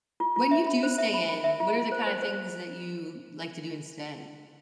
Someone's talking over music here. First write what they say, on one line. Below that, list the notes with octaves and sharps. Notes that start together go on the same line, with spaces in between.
when you do stay in, what are the kinda things that you like to do instead?
F4
F4
E5
B5
C5
E5
B5
B5
E5
F4
F4
C5
C5
C5